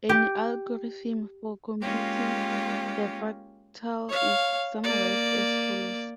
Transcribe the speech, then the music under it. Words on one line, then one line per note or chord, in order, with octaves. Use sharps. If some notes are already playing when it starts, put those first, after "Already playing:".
An algorithm, for computing the fractal is summarized as follows.
G4
G#3 A#3 C#4 F4 G4
C#5 F5
A#3 D5